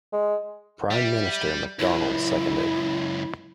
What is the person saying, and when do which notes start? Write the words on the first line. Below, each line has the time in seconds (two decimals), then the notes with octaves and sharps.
Prime Minister Macdonald seconded.
0.13 G#3
0.91 G3 E5
1.79 C#2 F#2 E4